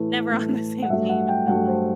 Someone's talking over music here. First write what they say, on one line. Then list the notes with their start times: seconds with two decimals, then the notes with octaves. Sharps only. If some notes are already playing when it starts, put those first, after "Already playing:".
never on the same team, it felt like,
Already playing: A2 E3 A3 B4
0.31 A2 E3 A3
0.82 F#5
0.90 G2 F#3 A3 E5
1.09 F#5
1.28 G5
1.48 G2 F#3 A3 F#5
1.67 C5